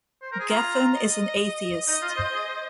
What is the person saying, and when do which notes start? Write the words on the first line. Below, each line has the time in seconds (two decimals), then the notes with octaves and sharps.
Geffen is an atheist.
0.22 C5
0.32 A#4
0.40 G#4
0.49 F4 A#5
0.96 D#5
1.87 D#4 D#5
2.02 F4
2.17 C5
2.33 G#4
2.48 C5